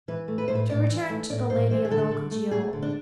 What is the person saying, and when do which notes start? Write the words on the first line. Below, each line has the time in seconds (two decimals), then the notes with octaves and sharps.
To return to the Lady of Rokjio.
0.08 E3 B4
0.28 A3
0.38 B4
0.48 A2 C5
0.55 B4
0.69 A2 D5
0.90 E3
1.09 A3
1.30 A2 D5
1.50 A2 C5
1.70 E3 C5
1.85 G#4
1.91 D3 A4
2.11 D3
2.31 A3
2.51 A3 G#4
2.73 D3
2.82 D4